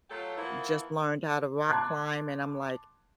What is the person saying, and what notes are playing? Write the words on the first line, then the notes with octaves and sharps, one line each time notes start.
just learned how to rock climb and I'm like,
F#3 A3 F4 G4 A4 C#5
E3 F3 A#3 B3 E4
A5 C6 D6 F#6 G#6